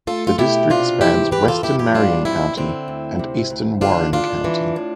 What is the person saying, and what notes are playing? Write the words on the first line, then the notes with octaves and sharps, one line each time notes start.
The district spans western Marion County and eastern Warren County.
A3 F4 A4
F4
B2 E4 G4
C3 D4 F4
E2 E4 G4
E3 G4 B4
F4 A4
F2 E4 G4
E4 G4
G3 D4 F4
B2 C4 E4
D3 C4 E4
D2
C3
D2
D3 D4 F4
E2 D4 F4
E3
A2